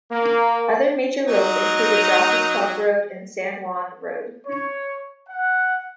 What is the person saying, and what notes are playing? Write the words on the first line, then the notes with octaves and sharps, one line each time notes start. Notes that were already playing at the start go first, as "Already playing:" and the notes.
Other major roads include the Jockey Club Road and San Wan Road.
A#3
F#3 D#4
C#5
F#5